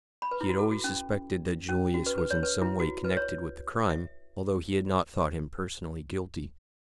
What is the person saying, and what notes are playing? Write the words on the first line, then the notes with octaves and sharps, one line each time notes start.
He had always suspected that Julius was in some way connected with the crime, although he had not thought him personally guilty.
B5
B4
E4
F#4
A4
F#4
C#4
C#4
F#4
B4
B4
C#5
B4
E4
F#4
B4
C#5
E5